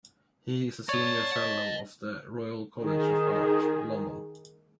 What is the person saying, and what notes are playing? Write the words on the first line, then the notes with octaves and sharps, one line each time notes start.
He is a Senior Fellow of the Royal College of Art, London.
C#5 D5 A5 A#5
D#5 F#5
D#3 G#4